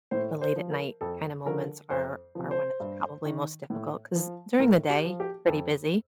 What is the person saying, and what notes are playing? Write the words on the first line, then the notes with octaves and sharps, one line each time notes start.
the late at night kinda moments are are when it's probably most difficult, 'cause during the day, you're pretty busy,
A2 C5
C5
F3
A#4
F2 A4
D3 F3 A#4
F2 C5
C3 F3
C5
G2
D#3
A2
F3
A2 A#4
G4
F3
G4
F2 A4